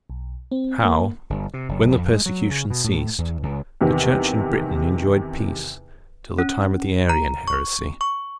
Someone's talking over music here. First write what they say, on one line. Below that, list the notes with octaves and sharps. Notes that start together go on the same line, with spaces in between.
How, when the persecution ceased, the Church in Britain enjoyed peace till the time of the Arian heresy.
B1
C4
A#3
G1
C3
F#1
F2
G#3
F#3
C#3
B2
A2
E2
C#2
E2 C3 D#3
C#4
A#5
C#6
C#6